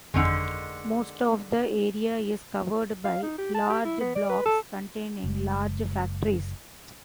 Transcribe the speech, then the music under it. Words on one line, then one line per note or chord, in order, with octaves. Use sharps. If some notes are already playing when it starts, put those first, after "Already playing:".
Most of the area is covered by large blocks containing large factories.
G1 F2 D3 D#3 G#3 F#5
F5
D#4
G4
A5
G4
E4
B3
D5
B4
A4
F#1 G#3